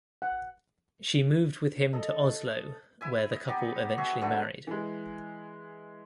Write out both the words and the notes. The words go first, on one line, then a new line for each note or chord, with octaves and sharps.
She moved with him to Oslo where the couple eventually married.
F#5
A4 D#5
E4 E5 G#5
D#5
B3 D#4 G4
F#4 G#4 E5
D3 E3 A3 B3
E3 G#3